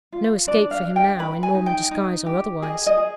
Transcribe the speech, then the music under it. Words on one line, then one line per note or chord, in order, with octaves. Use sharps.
No escape for him now, in Norman disguise or otherwise!
F4
D4 D5
F5
D4
G5
B4 B5
G#5
D#4
G5
D#4
G4
G#4 D#5
D#5
G#4